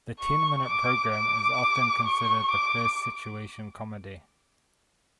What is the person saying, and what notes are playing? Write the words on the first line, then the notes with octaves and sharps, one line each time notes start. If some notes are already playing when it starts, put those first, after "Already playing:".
The ten-minute program is often considered the first situation comedy.
C#6
D6
D6
C#6
D6